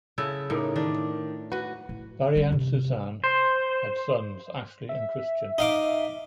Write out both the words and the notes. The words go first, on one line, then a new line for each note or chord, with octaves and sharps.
Barry and Suzanne had sons, Ashley and Christian.
C#3 E4 A4
A2 D#4 A#4 D6
D#3 D4
F#4 B4
A2
G3 C#4
C3
C5
E5
D#4 F5 D6